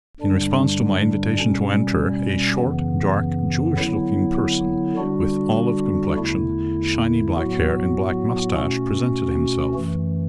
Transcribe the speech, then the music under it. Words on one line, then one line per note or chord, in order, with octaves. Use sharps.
In response to my invitation to enter a short, dark, Jewish-looking person, with olive complexion, shiny black hair and black mustache, presented himself.
G2 D3 G3 D4
B2 G3 C#4
F#2 C#3 E3 B3
D3 F#3 B3 E4
D3 G3 D4 F#4
E2 D3 A3 E4
A2 F#3 B3 F#4
B2 A3 C#4 F#4
F#2 E3 A3